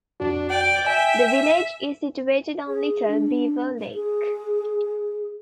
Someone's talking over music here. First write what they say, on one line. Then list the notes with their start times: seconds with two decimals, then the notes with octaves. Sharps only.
The village is situated on Little Beaver Lake.
0.20 F2 D4 F#4
0.50 D5 G5
0.87 E5 G#5
2.68 G#4
3.08 D4
3.95 G#4